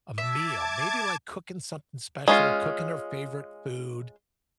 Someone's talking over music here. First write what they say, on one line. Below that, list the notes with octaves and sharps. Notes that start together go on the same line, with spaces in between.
a meal. Maybe like cooking something special, cooking her favorite food,
E5 A5 D6 G#6
G#3 C#4 F4